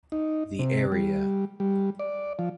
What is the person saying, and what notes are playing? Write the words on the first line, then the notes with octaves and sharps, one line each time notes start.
The area.
D#4
C3
G3
G3
D5
F3